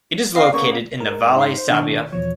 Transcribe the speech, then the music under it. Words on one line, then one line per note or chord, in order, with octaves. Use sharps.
It is located in the Valle Sabbia.
C4 D#5 F5 C7
C#3 A#3 B3 C#6
G#2 A#4
D#4 C6 C7
C5
B2 D#3 D4 C#5
E2 B2 F3 C#5